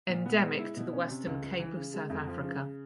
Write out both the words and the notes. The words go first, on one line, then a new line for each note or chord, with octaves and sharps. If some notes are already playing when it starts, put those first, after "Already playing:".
Endemic to the Western Cape of South Africa.
A#2
B3
G#3
E4
B2
C#4
C3
C#2
C#2
E3
C#3
G#3
F2
F3
C#3